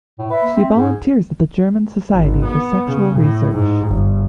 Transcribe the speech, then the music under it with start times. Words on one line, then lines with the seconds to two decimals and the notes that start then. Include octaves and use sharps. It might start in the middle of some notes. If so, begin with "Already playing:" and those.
She volunteers at the German Society for Sexual Research.
0.19 A2
0.30 B4 E5
0.43 A#3
0.56 C4
0.76 G#2 G#4
2.15 G#1
2.45 B3
2.87 C#3
3.18 A2
3.52 G#2
3.88 G1